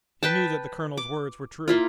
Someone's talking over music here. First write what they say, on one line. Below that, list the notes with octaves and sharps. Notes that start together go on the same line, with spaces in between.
He knew that the colonel's words were true.
B4 G5 A5
D6
A#3 E4 F4